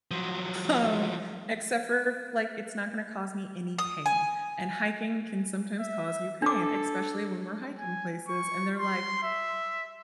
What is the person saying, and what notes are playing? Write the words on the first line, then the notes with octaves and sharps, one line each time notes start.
um, except for f like, it's not gonna cause me any pain, and hiking can sometimes cause you pain, especially when we're hiking places, and they're like,
F3 F#3
D#6
G#5
E5
D4 A4 D6
G#5
C#6
C6
E5